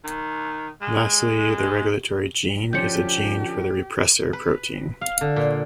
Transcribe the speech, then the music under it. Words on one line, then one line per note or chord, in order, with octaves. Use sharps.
Lastly, the regulatory gene is the gene for the repressor protein.
D#3
G#3
D3 F3 C#4 G4 G6 C#7
B4
F5
D3
A#2